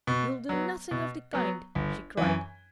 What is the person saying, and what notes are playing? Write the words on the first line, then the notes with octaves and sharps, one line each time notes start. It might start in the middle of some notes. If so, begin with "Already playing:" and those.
"You'll do nothing of the kind!" she cried.
B2
F#3 B3
B2
F#3 B3
G1
F#2 E3